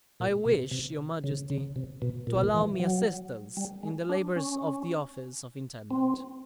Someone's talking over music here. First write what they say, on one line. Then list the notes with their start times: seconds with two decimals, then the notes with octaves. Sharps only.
"I wish your majesty to allow me assistance in the labors of the office of intendant."
0.20 A#2
0.45 B2
0.71 C3
1.24 C#3
1.50 C#3
1.76 C3
2.02 B2
2.27 A#2
2.36 B2
2.44 A#2
2.54 E3
2.80 F#3
3.57 G3
3.83 G#3
4.09 D4
4.36 C#4
5.91 C4